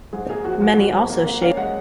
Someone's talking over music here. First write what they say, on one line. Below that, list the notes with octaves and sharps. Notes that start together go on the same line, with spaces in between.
Many also shave their head as this is considered hygienic.
G#2 G#4
A#3 G#4
F3 F#4
G#2 F#4
G#2 F#4
G#2
A#3
A#3
C#4 F5
G#3 F#5